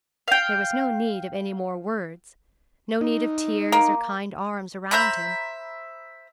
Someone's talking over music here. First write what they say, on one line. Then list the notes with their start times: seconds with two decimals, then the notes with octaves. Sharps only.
There was no need of any more words, no need of tears or kind arms around him.
0.28 F5 G5
3.01 D#4
3.72 A#3
4.91 C5 E5 A#5 B5